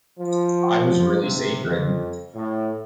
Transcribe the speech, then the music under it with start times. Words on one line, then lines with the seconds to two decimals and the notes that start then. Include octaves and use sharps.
I was really sacred!
0.18 F3
1.21 C3
1.64 F2
2.33 A2